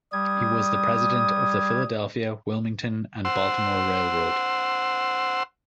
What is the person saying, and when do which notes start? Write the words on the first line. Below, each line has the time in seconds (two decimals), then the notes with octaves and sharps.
He was the President of the Philadelphia, Wilmington and Baltimore Railroad.
0.13 G3 D#6 G#6
3.25 C5 F#5 C6 E6